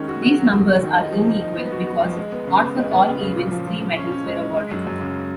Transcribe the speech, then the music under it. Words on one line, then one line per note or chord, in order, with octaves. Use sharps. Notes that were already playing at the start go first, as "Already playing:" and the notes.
These numbers are inequal, because not for all events three medals were awarded.
Already playing: D#3 G#3 C#4
F#4
F#4
F#3
F#3
F#4
D#3
D#4
F3
D#4
D#4
B3
F#4
F#4
F3
G#3
B3
C#3
B3
G#3
B3
C#3
C#3
A#2
F3
F3
F3
C#4
C#4
G#3
G#3
G#3
F#2
F#2
C#3